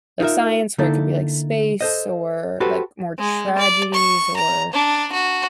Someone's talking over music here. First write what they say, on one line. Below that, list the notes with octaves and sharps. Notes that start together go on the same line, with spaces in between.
like, science where it could be, like, space or, like, more tragedies or
D#4 F4 G4 A#4 E5
D3 A#3 D#4 E4 A4
A4 C5 D#5
F#4 G4 A4 B4 C5
G#3
D5
C#6
A#5
D4
F#4